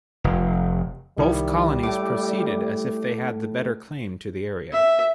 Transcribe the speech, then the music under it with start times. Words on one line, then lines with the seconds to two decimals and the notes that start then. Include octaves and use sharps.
Both colonies proceeded as if they had the better claim to the area.
0.24 F1
1.18 C2 D#3 G3 E4
1.83 A2 D6
4.73 E5